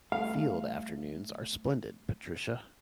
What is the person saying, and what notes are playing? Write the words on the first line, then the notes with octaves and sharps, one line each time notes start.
Field afternoons are splendid, Patricia.
G3 A3 F5